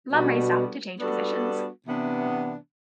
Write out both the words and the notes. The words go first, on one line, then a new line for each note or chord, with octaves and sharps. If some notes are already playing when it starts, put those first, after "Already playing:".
Lum raised up to change positions.
B2 G3 B3 D4 F#4 A4
G3 B3 D4 F#4 A4
C3 E3 B3 D4